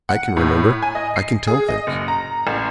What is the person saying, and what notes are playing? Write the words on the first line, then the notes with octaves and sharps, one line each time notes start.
I can remember; I can tell things!
F#5
A2
G#5
D#5
C7
G#4
D#5
F#1
A#5
A1